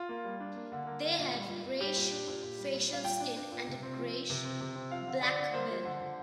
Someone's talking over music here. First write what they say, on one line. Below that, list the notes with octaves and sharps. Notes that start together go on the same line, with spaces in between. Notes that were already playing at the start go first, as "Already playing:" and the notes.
They have greyish facial skin, and a greyish-black bill.
Already playing: F4
A#3
G3
D4
A#3
D3
A#3
D3
A#2
G3
A#2
A#2
G3 G4
A#2
D4
A#2
A#2
G3
A#2
G3 F5
A#2 G5
D4
D4
A#2
C3
C4
F3
F3
C3
C4
C3
C4
F3 F5
D3
D3 D5
D3
A#3 C5
F3
D3
D3